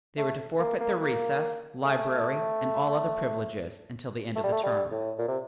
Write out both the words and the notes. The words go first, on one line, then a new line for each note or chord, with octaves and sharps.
They were to forfeit their recess, library and all other privileges until the end of the term.
A3
A#3
A#3
A#3
A3
A3
G3
A3
G3
A2
A#2
C3